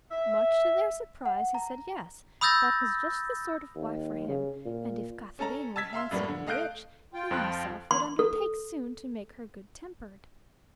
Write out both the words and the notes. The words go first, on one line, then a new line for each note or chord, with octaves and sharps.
Much to their surprise he said yes, that was just the sort of wife for him, and if Katharine were handsome and rich, he himself would undertake soon to make her good-tempered.
E5
F#5
A#5
B5 D#6 E6 G6 A6 A#6
D#2
C#3
A#2
C#4 A4 A5 A#5
A5 E6 G#6 B6
E5 F5 C6 E6
F#2 A2 G3 A#3 B3
D3
A3 D#5 F5 F#6 G6 D7
F4 G5
F2 F3 F#6
C6
A4